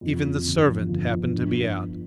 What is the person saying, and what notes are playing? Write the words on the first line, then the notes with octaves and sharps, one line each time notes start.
Even the servant happened to be out.
F2
F2
G1
F3
G1
F3
D4